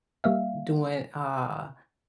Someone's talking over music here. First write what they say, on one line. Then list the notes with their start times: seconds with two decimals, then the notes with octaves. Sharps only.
doing, uh
0.24 G3 A#3 E5 F5